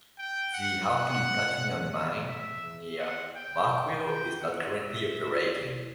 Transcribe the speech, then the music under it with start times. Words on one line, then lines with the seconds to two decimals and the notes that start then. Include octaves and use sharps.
The Hartley Platinum Mine near Makwiro is not currently operating.
0.18 G5
0.53 F#5
0.88 F#5
2.29 E5
2.99 F#5
3.35 G5
3.70 G5
4.05 G5
4.40 F#5
4.75 E5